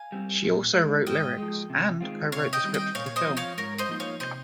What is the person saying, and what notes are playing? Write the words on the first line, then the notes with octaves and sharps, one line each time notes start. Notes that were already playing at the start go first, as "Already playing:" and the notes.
She also wrote lyrics and co-wrote the script for the film.
Already playing: F5 G#5
G3 C4
A#2
G#3 D#4
G#2 D#5 G5
F3 G#3
C3
D#3 G#3 C4 F4
C3 C#5 F5
D#5 G5
D#3 G3 C4
D#5 G5
A#2 C#5 F5
C#5
C5 D#5
F3 C4
C#5 F5
G#2 A#4 C#5
C5 D#5
F3 A#3 D#4
C#5 F5
C3 C5 D#5